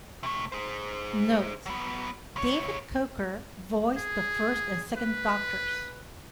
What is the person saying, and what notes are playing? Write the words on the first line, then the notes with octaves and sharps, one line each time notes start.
Note: David Coker voiced the First and Second Doctors.
C3 A3
G#4 C5
F#3 B3
C#2 C#5
G#4
B4